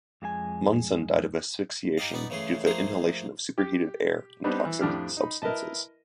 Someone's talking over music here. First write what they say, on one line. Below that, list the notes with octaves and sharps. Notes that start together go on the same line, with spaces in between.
Munson died of asphyxiation due to the inhalation of superheated air and toxic substances.
F2 G#3 F4 G#5
D#4 G4 D#5 F5
B3 D#4 D5
C#3 E3 A3 G#4 C6
F3 A3 A#3 G#4 A#5 C6
G4
G3 B3 C4 D4 D#4
E3
F2 A2 D4 G4 F6
D#4 B5
E4 A#4 B4 D#5 A5